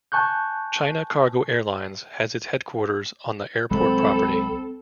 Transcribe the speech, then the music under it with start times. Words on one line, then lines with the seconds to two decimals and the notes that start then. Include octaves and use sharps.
China Cargo Airlines has its headquarters on the airport property.
0.12 G#5 A5 C#6 F#6 G6
3.71 C2 F#3 G#3 C4 A4 B5